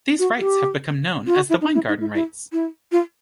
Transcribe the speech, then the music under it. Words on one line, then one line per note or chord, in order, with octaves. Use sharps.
These rights have become known as the Weingarten Rights.
F#4
G4
F4
F#4
E4
D#4
E4
D#4
E4
E4
E4
F4